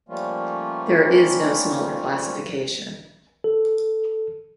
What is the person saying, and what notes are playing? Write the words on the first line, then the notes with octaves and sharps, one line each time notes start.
There is no smaller classification.
F3 G3 A3 A#3 C#4 F4
A4